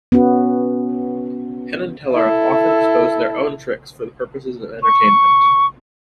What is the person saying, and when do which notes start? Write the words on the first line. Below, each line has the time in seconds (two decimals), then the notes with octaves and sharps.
Penn and Teller have often exposed their own tricks for the purposes of entertainment.
0.12 B3 C#4 F#4
2.14 E4 A4
4.83 C#6